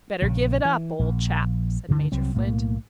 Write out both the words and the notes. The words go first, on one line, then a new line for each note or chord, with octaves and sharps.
"Better give it up, old chap," said Major Flint.
A#1 C#3
E3
A#1
D2 G2 D3
C2 F#3 C4
B1 A2 G3 A#3